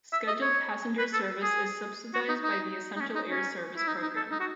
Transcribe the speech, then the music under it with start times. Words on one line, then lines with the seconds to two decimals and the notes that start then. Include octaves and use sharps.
Scheduled passenger service is subsidized by the Essential Air Service program.
0.13 E5
0.27 D#5
0.42 C#5
0.98 B4
1.13 A4
1.42 G#4
2.14 F#4
2.29 D#4
2.44 D#4
2.96 D#4
3.00 C#4
3.15 D#4
3.30 C#4
3.77 E4
3.87 D#4
4.02 D#4
4.16 A4
4.31 D#4
4.40 F#4